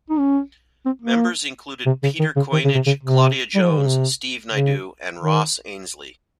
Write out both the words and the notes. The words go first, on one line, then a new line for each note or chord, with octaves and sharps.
Members included Peter Koinange, Claudia Jones, Steve Naidoo and Ros Ainslie.
D#4
C#4
C4
A#3
C3
C#3
D#3
C#3
D#3
C#3
C3
C#3
C3
G3
F3
D#3
C#3
C3
C#3
D#3